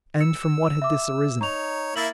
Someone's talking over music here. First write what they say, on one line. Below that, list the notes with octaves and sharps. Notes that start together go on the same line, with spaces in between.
And from what had this arisen?
E6 C#7
E5 D6
D#4 C#5 A#5 C#6 F7
A#3 E4 E5 A6 F#7